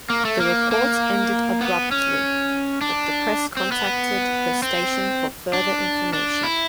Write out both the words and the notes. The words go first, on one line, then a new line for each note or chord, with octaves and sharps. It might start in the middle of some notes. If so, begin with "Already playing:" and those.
The report ended abruptly, but the press contacted the station for further information.
A#3
A3
A#3
A#3
B3
C#4
D4
C4
B3
C4
D4
D4
E4